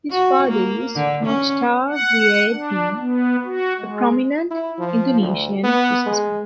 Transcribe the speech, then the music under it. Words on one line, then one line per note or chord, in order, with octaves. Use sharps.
His father is Mochtar Riady, a prominent Indonesian businessman.
F#4
A#3
D3
C#4
F#5
D4
B3
F#4
G#3
E4
F3
D2
B3
G#3